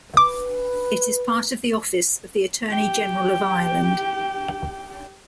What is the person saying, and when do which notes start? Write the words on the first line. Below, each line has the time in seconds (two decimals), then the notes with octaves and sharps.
It is part of the office of the Attorney General of Ireland.
0.17 B4 D6
2.70 G4 G5